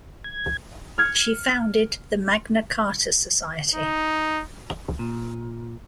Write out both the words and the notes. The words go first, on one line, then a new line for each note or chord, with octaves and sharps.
She founded the Magna Carta Society.
G#6
F6 G#6 C#7
D#4
A#2